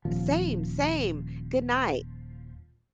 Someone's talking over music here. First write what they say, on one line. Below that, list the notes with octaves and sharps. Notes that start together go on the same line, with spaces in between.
Same, same, good night.
D#1 F3